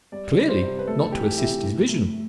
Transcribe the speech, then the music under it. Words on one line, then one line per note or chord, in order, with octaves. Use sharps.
Clearly, not to assist his vision.
G3 D5
G3
C5
C3
B4
A3 A4
A4
E3 G4
C3 E4
A2
A2